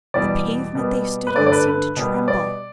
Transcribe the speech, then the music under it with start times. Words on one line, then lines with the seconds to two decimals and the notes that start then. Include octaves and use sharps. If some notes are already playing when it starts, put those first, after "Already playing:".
The pavement they stood on seemed to tremble.
0.14 E2 B2 G3 D5
0.75 B2 G3 B3
1.27 B4
1.36 G2 D3 A3 D5
1.47 D5
1.52 B4
1.67 B4
1.97 B2 G3 B3
2.28 D5